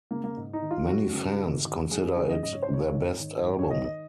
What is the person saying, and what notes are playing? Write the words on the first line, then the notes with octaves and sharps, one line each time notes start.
Many fans consider it their best album.
C#3 A#3
A#3
G#2
D#4
D#3
F4
F#2 F#4
C#3
G#2
D#3
F#2 G#4
C#3 G#4
D#5
G#2 D#5
C#5
C5
D#3 C#5
G#2
D#3
G#2
C#5
D#3 D#5
D#5